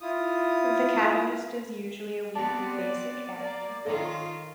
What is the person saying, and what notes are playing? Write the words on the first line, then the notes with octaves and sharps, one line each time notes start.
The catalyst is usually a weakly basic amine.
E4 F4 D#6
B3 C4 D5 A5
A#3
D#3 F4 A4 C#5 D#5